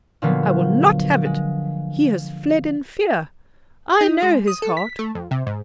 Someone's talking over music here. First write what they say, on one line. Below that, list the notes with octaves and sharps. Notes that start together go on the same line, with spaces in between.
I will not have it; he has fled in fear. I know his heart.
A#2 D3 F3 F#3 A#3 B3
G#3
D#4
G#3
D#6
A4
B6
A3
F2
C3
G#2